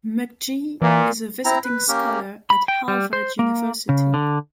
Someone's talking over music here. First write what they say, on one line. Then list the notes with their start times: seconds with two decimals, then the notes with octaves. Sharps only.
McGee is a visiting scholar at Harvard University.
0.82 A#2 E3
1.45 C4 E4 A#5
1.64 B4
1.88 A#3 C#4 G4 A#4
2.50 B5
2.68 G5
2.88 G3
3.13 C5
3.39 A#3
3.89 C#3
4.14 D3